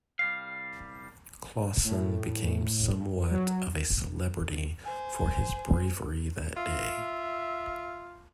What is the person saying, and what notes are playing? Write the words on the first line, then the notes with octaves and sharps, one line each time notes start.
Clawson became somewhat of a celebrity for his bravery that day.
C2 G3 F5
A2
F#3
C5 G#5
F4 E5